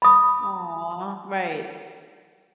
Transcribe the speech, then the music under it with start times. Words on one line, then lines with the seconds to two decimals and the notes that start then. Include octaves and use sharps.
Aw! Right.
0.02 B5 D#6